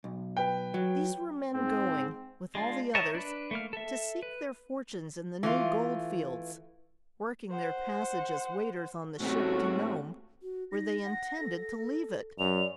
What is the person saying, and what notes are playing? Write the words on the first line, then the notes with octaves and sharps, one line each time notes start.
These were men going, with all the others, to seek their fortunes in the new gold fields, working their passage as waiters on the ship to Nome, where they intended to leave it.
B1
B4 G5
F#3
G#2 C4
G#3 D4 F4
A#4 C#5 D#5 E5 A5
D4 B4
A3 A#3 F6
A4 E5
B4
E3 A3 F4
C5 F#5
G#2 A3 C4 C#4 F#4 G4
F#4
D#4 A#6
F#5
A4
F#2 D5 F7